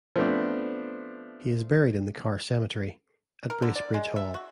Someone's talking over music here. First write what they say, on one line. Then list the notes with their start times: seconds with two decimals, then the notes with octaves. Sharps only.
He is buried in the Carr Cemetery at Bracebridge Hall.
0.16 F3 A3 B3 C4 D4
3.50 A#4
3.62 D3
3.76 D5
3.94 G#3
4.16 E5
4.34 F#4